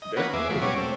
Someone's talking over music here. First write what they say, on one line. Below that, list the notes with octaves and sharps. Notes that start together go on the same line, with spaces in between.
That's good.
D#5
A#3 B3 C#4 F#4 B4
E2 G#4 E5 D6
F3 F#3 G#3 B3
B2 G3 C#4 F#4 C#5 D6
A3 C4